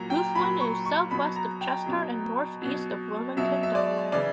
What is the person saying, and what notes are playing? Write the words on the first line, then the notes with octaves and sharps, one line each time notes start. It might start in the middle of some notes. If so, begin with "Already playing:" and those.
Boothwyn is southwest of Chester and northeast of Wilmington, Delaware.
Already playing: A#2 F#3 A#5
G5
A#2 F#3 B5
C#6
C#6
B2 F#3 B5
A#5
G5
B2 F#3
B2 F#3
B2 F#3 E5
E5
D5
C#3 E3 D5